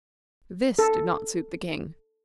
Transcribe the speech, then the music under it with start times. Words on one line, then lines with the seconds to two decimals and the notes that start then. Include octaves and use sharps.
This did not suit the king.
0.79 A4